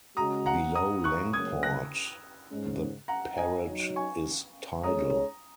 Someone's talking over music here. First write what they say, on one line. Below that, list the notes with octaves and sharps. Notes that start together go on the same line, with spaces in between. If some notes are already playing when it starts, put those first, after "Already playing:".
Below Langport the Parrett is tidal.
C#3 G#3 F#4 A#5 D#6
F#5 A#5
A#5 D#6
C#6 F#6
F#2 C#3 F#3 A#3 C#4 D#6 G#6
F#6 A#6
G#2 G#3 C#4
F#5 A#5
D#5 G#5
F#3 D#4 F#4 C#5
G#5 C#6
G#3 C#4 G#4 C#5 A#5 D#6